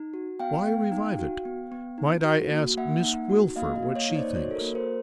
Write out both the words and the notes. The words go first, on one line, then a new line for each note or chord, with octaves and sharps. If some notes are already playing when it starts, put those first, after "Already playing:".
Why revive it? Might I ask Miss Wilfer what she thinks?'
Already playing: D#4
F#4
B3 F5 G5
B3
D#4
F#4
B3
B3
D#4
F#4
A#3
A#3 E5 F#5
D#4
F#4
A#3 D#5 F5
D#5 F5
A#3
C#5 D#5
D#4
C5 D5
F#4 C#5 D#5
A4
A#4
A#3
A#4 C5